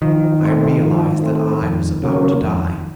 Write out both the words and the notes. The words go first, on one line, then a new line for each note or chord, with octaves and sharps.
I realized that I was about to die . . .
D#3 F3
A3 C4
F3
A3 C4
F2
C#3 F#3 A#3 C#4
F2